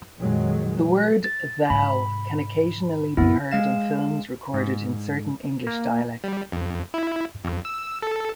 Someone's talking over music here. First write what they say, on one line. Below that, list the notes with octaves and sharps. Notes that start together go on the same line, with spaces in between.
The word "thou" can occasionally be heard in films recorded in certain English dialect.
F2 A#2 D#3 F#3 G#3
A6
G#2 C3 B5
F#2 C#3 B3 E4
G#3 F5 E7
G#2
A#3
G3
F2
E4
F2
E6
A4